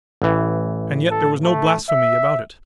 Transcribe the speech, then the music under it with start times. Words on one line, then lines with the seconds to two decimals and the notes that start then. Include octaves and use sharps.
And yet there was no blasphemy about it.
0.22 A1 E3
1.11 A4
1.44 A3
1.89 E5